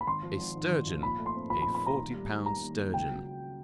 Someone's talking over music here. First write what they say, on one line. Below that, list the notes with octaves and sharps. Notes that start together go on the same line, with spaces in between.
A sturgeon! a forty pound sturgeon!
B5
G#1 C6
F3
G#1
G#2
G#1
F3
A#2 B5
A3
C6
C4
F3 B5
B5
A#2
B5
A3 A#5
D#2
G3
D#2
D#3 A#5
D#2
G3
C#2 G5
F#3